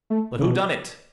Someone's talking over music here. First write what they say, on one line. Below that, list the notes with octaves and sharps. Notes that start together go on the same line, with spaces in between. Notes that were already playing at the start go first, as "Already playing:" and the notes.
But who done it?
A3
C#3
B2